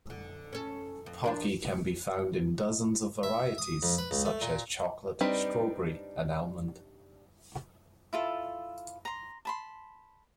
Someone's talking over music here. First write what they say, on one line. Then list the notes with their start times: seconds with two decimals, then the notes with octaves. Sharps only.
Pocky can be found in dozens of varieties such as chocolate, strawberry, and almond.
0.10 D3
0.53 C#4 A4
1.06 F2
1.24 F3 D4 A#4
3.23 E5
3.58 D#6
3.83 F2
3.98 B4
4.11 C#2
4.26 A3
4.42 A#2
5.21 G3 C4 D4 D#4 B4
8.13 E4 F4 A4
9.05 A#5 C6
9.45 A5 B5 C6